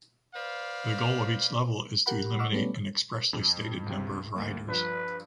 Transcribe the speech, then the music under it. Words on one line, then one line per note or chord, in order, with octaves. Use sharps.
The goal of each level is to eliminate an expressly stated number of riders.
B4 C5 D5 F5
G4 A#4 F#5 B5
D#5 F#5 C#6 D6 E6 F6
G3 A3 B3 C#4 D4
F2
C#2 C3
D2 A#3
G2 F3 B4